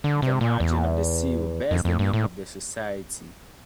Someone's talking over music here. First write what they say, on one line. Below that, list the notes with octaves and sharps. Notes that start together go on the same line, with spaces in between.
The margin of the seal bears the name of the society.
D3
C3
A#2
E2
F2
F2
G2
A2